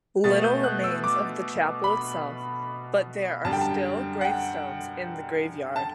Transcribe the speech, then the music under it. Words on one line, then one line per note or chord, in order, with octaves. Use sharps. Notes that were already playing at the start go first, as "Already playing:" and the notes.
Little remains of the chapel itself but there are still gravestones in the graveyard.
B2 A3 A6
G6
F#6
E6
D6
B5
F#2 D3 G3 A5
G5
A5
F#5
G5
A5